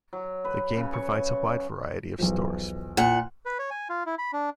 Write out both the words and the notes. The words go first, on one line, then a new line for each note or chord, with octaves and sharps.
The game provides a wide variety of stores.
F#3
B4
C#3
C#6
B1 E2 F3
A#2 F#5
B4
C#5
G#5
F4
E4
B5
D4